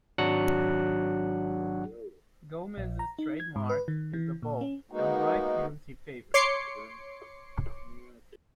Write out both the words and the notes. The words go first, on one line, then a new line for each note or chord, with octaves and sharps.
Gomez's trademark is the bold and bright hues he favors.
G#1 F#3 D4 F#4 F#5 F#6
A#1
A#5
D#4
G#6
G#2
B4
D#3
E3
A#2
C#4
G#3 A#3 B3 D#4 F#4
C#5 C6 D6 C7 C#7